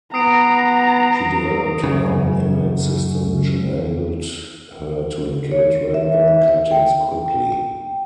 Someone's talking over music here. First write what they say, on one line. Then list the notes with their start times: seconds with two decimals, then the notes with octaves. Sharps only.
She developed her own index system which enabled her to locate relevant cuttings quickly.
0.14 B3 A#5 D#6 C7 D7
1.84 F#2 C#3
5.52 C#5
5.94 E5
6.28 E5
6.71 G5